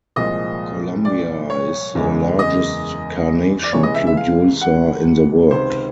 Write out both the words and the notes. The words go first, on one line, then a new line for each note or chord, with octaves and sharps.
Colombia is the largest carnation producer in the world.
C2 A#2 F3 G#3 D#5
D5
C#5
F#1 E2 C#3 E3 G#3
D#5
D5
C#2 C3 E3 G#3 C#5
D#5
E5
E5
F5
F#5
C#2 C3 D#3 C5